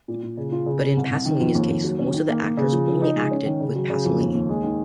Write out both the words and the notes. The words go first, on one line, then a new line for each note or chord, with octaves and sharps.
But in Pasolini's case, most of the actors "only acted with Pasolini".
A#2
A#2
C#3
F4
C#3
C#3
C2
C2
D#3
F2
D#2
D#2
F#3
C#4
D#3
A#3
A#3
C#3
F3
F3
D#4
G#3
C#4
D#3
C#3
F#3
C#3
F2
D#2
D#2
G#3
D#3